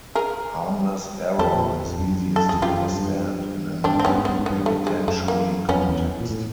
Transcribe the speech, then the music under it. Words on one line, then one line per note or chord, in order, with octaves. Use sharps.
Harmless error is easiest to understand in an evidentiary context.
G#4 A#4
F2 G4 A4
A#2
E2
F2
F#2
A4
F2 G#4
F#2 F4 G4
G2
G2 C4 D4
G#2 C4
G2 B3 C#4
G#2
G2 B3
G#2
G2 B3
A3
G#3
F#2 A3
A#3
F2 B3 C#4
E2
A#2
A2